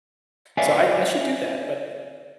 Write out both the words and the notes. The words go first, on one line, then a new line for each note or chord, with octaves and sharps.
So I I should do that, but
B4 C#5 D5 E5 F5 G#5